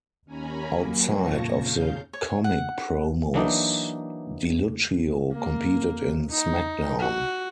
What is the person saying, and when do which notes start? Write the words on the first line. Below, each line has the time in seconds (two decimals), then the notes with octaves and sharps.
Outside of the comic promos, DiLucchio competed in SmackDown!
0.25 D#2 C#4 G#5 A#5 B5
0.66 F#3 A#3
1.15 F2 A#2 A#3 A5 C#6 A#6
1.54 C#3 F5 G6
2.13 C#5
2.44 F#5
3.34 E3 F#3 A#3 D4 D#4
5.32 A#3
6.31 D#4
7.00 F#4